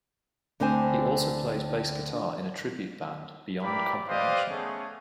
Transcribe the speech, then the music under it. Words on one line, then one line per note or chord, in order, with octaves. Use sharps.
He also plays bass guitar in a tribute band, Beyond Comprehension.
D2 D3 C4 C5 G#5
E4 G4 A#4 B4 D5 B5
G4 B4 C5 D5 D#5 F5
A3 B3 C#4 G#4